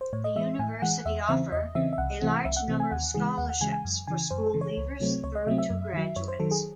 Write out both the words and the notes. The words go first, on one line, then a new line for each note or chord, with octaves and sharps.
The University offer a large number of scholarships, for school leavers through to graduates.
C5
A2 C#5
D#5
E3 G#3 E5
A2 G#5
E3 G#3 F#5
E2 E5
C#3 E3 C4 E5
E2 D#5
C#3 E3 C4 E5
E5
C2 F#5
C3 E3 A3 C4
C2 E5
F#5
C3 E3 A3 C4
G#5
D#2 F#5
C#3 E3 G#3 G#4
D#2 F#5
F#5
C#3 E3 G#3 G#5
G#5
F#2
C#3 E3 G#5
F#2 C5
A4
C#3 E3
C#5
C#2
C3 F#3 A3 C4
C#2 C#5
D#5
C3 F#3 A3 C4 E5
E5
F#2
D#3 F#3
F#2 C#5
C5
D#3 F#3 A4
G#4